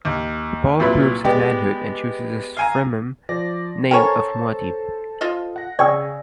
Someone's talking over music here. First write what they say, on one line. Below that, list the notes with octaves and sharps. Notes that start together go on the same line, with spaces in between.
Paul proves his manhood and chooses his Fremen name of Muad'Dib.
D#2
C2 A#2 F#3 E4 B4 B5
G#3 B3 G4 D5
F5 G#5 A#5
F3 D5 A#6
C#4 A4 A#4 C5 C#5 G5 A5
F4 D#5
F#5 A#6
C#3 D5 G5 C#6 E6